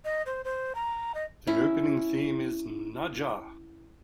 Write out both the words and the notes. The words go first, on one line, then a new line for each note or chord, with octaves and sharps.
The opening theme is Nadja!!
D#5
C5
C5
A#5
D#5
C#4 E4